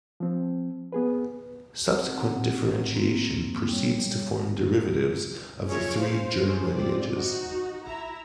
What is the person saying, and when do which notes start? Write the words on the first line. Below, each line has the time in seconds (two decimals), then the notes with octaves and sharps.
Subsequent differentiation proceeds to form derivatives of the three germ lineages.
0.20 F3 C4
0.92 B3 G#4 B4
1.88 C4 D#4 F#4 F#5
2.95 A#3 C4 E4
3.69 G3 C#5
5.67 F3 C#4 G#4 A#4 C#5 E5
5.96 C5 F5
6.43 C#4 F4 G#4 A4 C5
6.73 G#3 C4 F4 D5
7.12 D#4 F#4
7.86 E4 E5 A#5